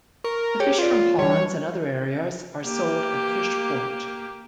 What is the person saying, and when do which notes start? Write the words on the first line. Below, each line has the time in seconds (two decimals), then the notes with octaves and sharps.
The fish from ponds and other areas are sold at the Fish Port.
0.24 A#4 C#6
0.60 G4 G#4 C#5
0.79 F4 B4 D5
1.19 E3 G3 C#5
2.64 A#3 G4